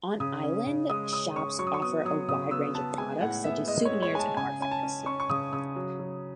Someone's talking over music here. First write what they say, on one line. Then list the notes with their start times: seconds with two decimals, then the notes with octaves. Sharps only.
On-island shops offer a wide range of products, such as souvenirs and artifacts.
0.20 C#3 D#6
0.43 C#4
0.66 C#3
0.90 G#3 D#6
1.13 C#4 D#6
1.36 C#4 C#6
1.59 F#3 C#6
1.67 D#6
1.74 C#6
1.82 B3 D#6
2.05 F#3 D#6
2.28 C#3 D#6
2.51 B3 E6
2.75 B3 A5
2.98 G#3 G#5
3.21 A2 F#5
3.44 B3 E5
3.68 G#3 D#5
3.85 C#5
3.91 G#3
4.02 C#5
4.14 G#3 G#5
4.19 A5
4.37 C#3 G#5
4.60 C#4 G#5
4.71 A5
4.83 C#4
5.06 C#4 C#6
5.20 C#6
5.29 C#3 D#6
5.53 C#3 D#6
5.76 F#3
5.99 F#3